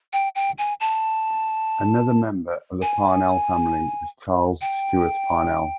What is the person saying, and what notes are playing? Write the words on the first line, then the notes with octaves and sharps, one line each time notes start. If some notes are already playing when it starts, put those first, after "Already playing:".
Another member of the Parnell family was Charles Stewart Parnell.
G5
G5
G#5
A5
G#5
G5